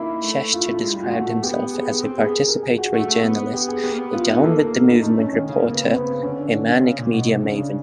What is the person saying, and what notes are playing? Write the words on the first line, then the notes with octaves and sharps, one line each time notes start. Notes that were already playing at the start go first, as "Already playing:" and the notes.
Schechter described himself as a participatory journalist, a down-with-the-movement reporter, a manic media maven.
Already playing: A#3 D#4 E4
A3
F4
F4
G#3
G3 F4
G#3 F#4
A3 F#4
B3 G4
G#4
C4 G4
B3 G#4
A#4
A#4
G#4
F#4
A3 F#4
A3
B3
G4
G#4
B3 G4
A#3
B3
B3 F4
B3 D#4
A#3 A4
A#4
A4
D#4
A3 D#4
C#4
D#3 C#4
C#3
C#3 A#3
B3
C4
B3
D3 C#4
D4
C#4
C#4
C#3
A#2
B2
C3
C#3 C#4
D4